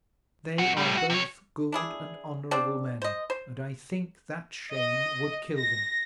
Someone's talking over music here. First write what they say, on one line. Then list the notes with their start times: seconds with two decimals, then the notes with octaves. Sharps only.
They are both good and honourable men, and I think that shame would kill them.
0.58 F#2 F#5
0.77 A2 G3
0.97 F#4
1.10 C3 C#5
1.72 D4 E4 G#4
2.51 C4 D4
3.02 C5 D#5
3.30 C5
4.71 D#5
5.59 A#6